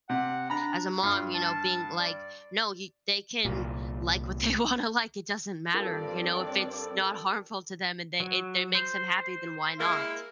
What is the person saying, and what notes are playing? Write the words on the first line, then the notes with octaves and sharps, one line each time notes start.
as a mom, you know, being like, "No, y they can like what they wanna like, it doesn't matter, you know, if it's not harmful to them and they it it makes them happy, then why not?
C3 F#5
D4 A#5 B5
G2 F4 F6
A5
D5
C2 A#2
G2 C4 F4 A4 A#4 D5
A4
F#3
C5
G#3 A#3 E4